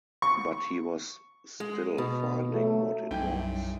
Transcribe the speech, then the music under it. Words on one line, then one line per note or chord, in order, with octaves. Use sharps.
But he was still finding what it was.
C#6
G#3
B2
F#3 A3
B1 F#2 E3 G3 D#4 E4 G5